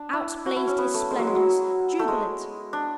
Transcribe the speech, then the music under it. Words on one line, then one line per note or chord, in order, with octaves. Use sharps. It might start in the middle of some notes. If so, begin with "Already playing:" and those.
Out blazed his splendors--jubilant.
Already playing: D4
E4
F#4
E4
C#4
B3
A3
G#3
F#3
G#3
F#3
A3
G#3
D4